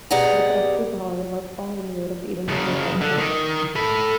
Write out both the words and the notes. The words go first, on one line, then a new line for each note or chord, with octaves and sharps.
The practice, however, was strong in Europe even before that time.
B2 G4 G#4 D5 F#5 A#5
F#2 C#3
D3
D#3
A4 B5